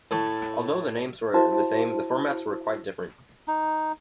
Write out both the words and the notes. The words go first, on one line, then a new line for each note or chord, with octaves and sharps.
Although the names were the same, the formats were quite different.
A2 A4 C#6
E4 F#4 C5 A5
D#4